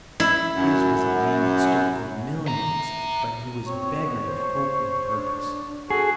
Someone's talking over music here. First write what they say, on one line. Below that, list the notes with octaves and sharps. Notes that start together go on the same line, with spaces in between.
His was a name that stood for millions, but he was beggared of hope and purpose.
E4
F#2
E5 A#5
C4 C#5
B3
C5
D4
F#4 G#4 A4